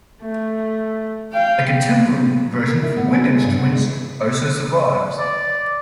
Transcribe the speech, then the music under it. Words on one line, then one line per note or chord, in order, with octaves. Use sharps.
A contemporary version for wind instruments also survives.
A3
F5 G5
A#4
E4
B3
G#5
G#3
G2
B3
G#3
E3
D5